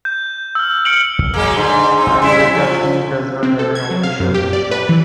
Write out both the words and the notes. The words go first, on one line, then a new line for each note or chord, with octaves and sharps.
Pi Beta Phi does not have an official gemstone.
G6
E6 F6
F6 C#7 D7 F#7
F#3 G#3 A#3
G#2 D3
C4 D#4
G3 E4
F3
C4
A4
G#6
F#3
F5
F#2
G4
D5
B4
E3